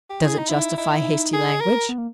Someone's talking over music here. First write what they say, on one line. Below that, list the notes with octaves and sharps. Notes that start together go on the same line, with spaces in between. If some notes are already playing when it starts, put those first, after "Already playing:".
Does it justify hasty language?
G4
E4 G#4
D#4
D#4 E4
D#4 E4
G#4
A#4
B3
A#3